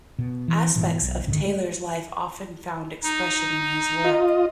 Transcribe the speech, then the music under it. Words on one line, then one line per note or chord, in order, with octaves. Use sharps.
Aspects of Taylor's life often found expression in his work.
B2
E3
G#2 B2 E3
B1
C#2 G#2 D3 D#3
G#3
D#4
F4 D#5